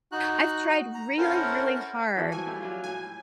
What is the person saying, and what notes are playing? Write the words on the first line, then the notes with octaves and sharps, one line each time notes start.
I've tried really, really hard
D#4 F#4 F#6
A#5
C#4 E4 A4 A#4 C5 F#5
E3 F3 F#4
G#5
G3 A3
F#3 F4
A2 G#5